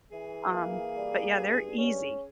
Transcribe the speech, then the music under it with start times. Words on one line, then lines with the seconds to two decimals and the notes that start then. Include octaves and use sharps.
um, but yeah, they're easy,
0.11 E3 G#4
0.53 A#3
0.95 G3
1.36 G2
1.78 C#4 G#4